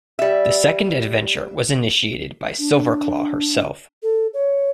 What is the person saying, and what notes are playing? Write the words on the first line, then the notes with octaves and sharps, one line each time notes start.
The second adventure was initiated by Silverclaw herself.
G3 E5
D4
A4
C#5